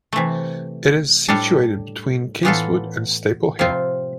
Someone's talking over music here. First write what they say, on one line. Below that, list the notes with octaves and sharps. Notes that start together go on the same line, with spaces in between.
It is situated between Kingswood and Staple Hill.
C3 E3 A3
A2 G3 D4 A4
A2 E3 B3 F4 A4
C3 F3 C4 F4